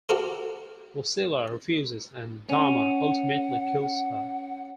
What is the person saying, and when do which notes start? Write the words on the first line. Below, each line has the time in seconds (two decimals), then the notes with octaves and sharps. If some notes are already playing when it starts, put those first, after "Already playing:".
Lucilla refuses, and Dama ultimately kills her.
0.09 F#4 G4 A4 A#4 C5
2.50 C#4 F#5